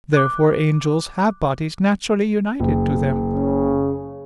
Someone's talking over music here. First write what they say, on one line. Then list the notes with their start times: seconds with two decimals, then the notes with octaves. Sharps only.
Therefore angels have bodies naturally united to them.
0.13 D6 F#6
2.60 F#1
3.32 C#3